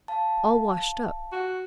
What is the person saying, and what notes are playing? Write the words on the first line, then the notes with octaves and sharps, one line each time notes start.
All washed-up!
F5 A5
F#4